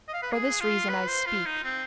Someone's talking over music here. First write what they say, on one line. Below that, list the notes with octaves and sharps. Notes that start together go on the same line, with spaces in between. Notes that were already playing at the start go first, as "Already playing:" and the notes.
For this reason I speak.
D#5
F5
B4
G#4
F4
B4
C5
F4
D#4
C4